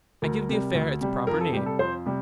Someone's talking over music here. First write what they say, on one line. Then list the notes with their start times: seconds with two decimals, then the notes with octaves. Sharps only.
I give the affair its proper name.
0.22 D2 A#4
0.49 C3 G3
0.75 D2
1.01 C3 G3
1.27 F2 A#4
1.41 A4
1.53 C3 G3 G4
1.66 A4
1.79 F2 C5
2.06 C3 G3